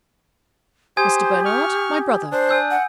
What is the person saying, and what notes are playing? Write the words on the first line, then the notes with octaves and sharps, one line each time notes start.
Mr. Bernard--my brother.
G4 C5 G#5 D#6 G#6
C#6 F6
D4 C5
G#5 E6 G6
F#5